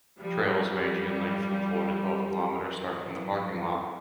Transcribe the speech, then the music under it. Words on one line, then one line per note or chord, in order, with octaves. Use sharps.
Trails ranging in length from four to twelve km start from the parking lot.
F3 G3
F3 G3
E3 F#3